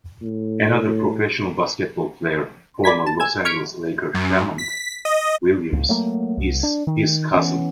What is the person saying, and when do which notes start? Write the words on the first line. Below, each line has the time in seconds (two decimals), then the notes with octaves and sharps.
Another professional basketball player, former Los Angeles Laker Shammond Williams, is his cousin.
0.22 A2
2.84 D5 B5 G#6 B6
3.07 A5
3.20 G#5 E6 G#6
3.45 C#6 F6 G#6 B6 C#7 D7
4.14 F#2
4.58 B6
5.05 D#5
5.73 C#2
5.89 F#3 A3 A#3
6.37 C2
6.63 D4
6.87 D#3
7.34 E3 B3 C#4